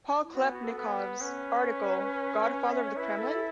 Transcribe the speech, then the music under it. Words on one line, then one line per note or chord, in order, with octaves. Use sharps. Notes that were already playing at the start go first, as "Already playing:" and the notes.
Paul Klebnikov's article Godfather of the Kremlin?
E4
B3 F#4
F#4
A4
B3
C#5
B4
C#4 B4
E5
C#5
E4 B4
A4